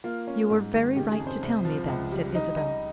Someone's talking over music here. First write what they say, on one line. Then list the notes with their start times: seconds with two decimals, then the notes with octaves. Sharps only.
"You were very right to tell me then," said Isabel.
0.04 A#3 F4
0.27 C#4
0.50 G#2
0.73 D#3
0.96 C#3 G4
1.11 G#4
1.20 F2
1.27 C5
1.43 C2
1.65 F3
1.88 C#2
2.12 G3
2.35 D#4
2.57 D#4 D#5